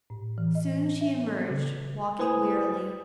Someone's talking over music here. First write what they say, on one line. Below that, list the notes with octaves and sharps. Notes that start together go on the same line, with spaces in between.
Soon she emerged, walking wearily.
A2
E3
D#5
E5
A4
C#3
E4 B4 C5 G#5 D#6